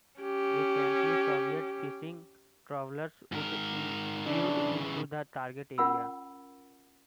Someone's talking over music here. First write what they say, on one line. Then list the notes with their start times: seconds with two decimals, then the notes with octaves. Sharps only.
Frequently, Soviet "fishing trawlers" would intrude into the target area.
0.21 C#4 G4
3.32 G#2 A#4
4.26 C#3 E3 D4
5.78 C#4 F4 A#4 F#5 B5 E6